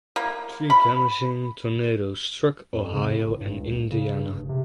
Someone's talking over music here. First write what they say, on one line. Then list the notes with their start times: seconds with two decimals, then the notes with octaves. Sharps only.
Three damaging tornadoes struck Ohio and Indiana.
0.16 A#3
0.70 B5
2.74 F2
2.93 C#3
3.10 A2
3.27 G#1
3.40 G2
3.60 C#2
3.74 D1
3.92 C#3
4.19 G2
4.33 F1
4.49 C3